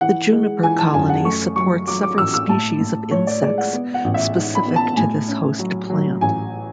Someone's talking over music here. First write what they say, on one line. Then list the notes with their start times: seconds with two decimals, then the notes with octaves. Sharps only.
The juniper colony supports several species of insects specific to this host plant.
0.01 E3 F#5
0.32 G#3
0.63 E3 G#5
0.79 A5
0.93 F#2 G#5
1.09 F#5
1.25 A3 C#6
1.56 F#3 C#6
1.87 F#3 D6
2.03 D6
2.18 A1 E6
2.34 E6
2.49 A2 A5
2.80 A2
3.11 A2 C#5
3.27 D5
3.42 G#3 D5
3.58 F#5
3.73 B3
3.94 F#5
4.04 A1
4.14 E5
4.35 G#2
4.55 B5
4.66 B3
4.76 A5
4.97 A2 G#5
5.28 C#4
5.59 F#3
5.90 F#3
6.21 A1 G#5